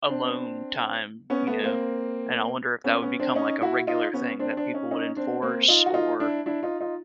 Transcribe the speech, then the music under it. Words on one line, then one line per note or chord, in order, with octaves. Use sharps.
alone time, you know? And I wonder if that would become, like, a regular thing that people would enforce or,
C4 D4
B3 C#4
A3 B3
A#3 C4
B3 C#4
B3 C#4
C4 D4
C#4 D#4
E4 F#4
D#4 F4
B3 C#4
C4 D4
C4 D4
C#4 D#4
C#4 D#4
C4 D4
A#3 C4
D#4 F4
F#4
D#4 F4
D4 E4
D4 E4
D#4 F4
D#4 F4